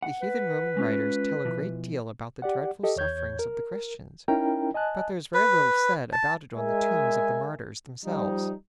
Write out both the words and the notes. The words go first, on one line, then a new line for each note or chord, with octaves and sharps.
The heathen Roman writers tell a great deal about the dreadful sufferings of the Christians, but there is very little said about it on the tombs of the martyrs themselves.
F#5
B4
G#3 C#4 F4
B2 E3 F3
G4 D5 F#5
G4 A4 D#5
E2 C#5 G6 G#6
A#4
C#4 D#4 E4 A#4 G5 A#5
D#5 G#5 A5 F#6
B4
A5
G#3 A#4 E5 G#5
F3 G3 D#4